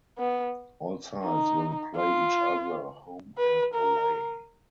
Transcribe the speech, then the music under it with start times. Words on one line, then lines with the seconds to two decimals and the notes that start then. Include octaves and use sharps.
All sides will play each other home and away.
0.18 B3
1.25 D#4
1.96 F4
3.38 B4
3.74 A#4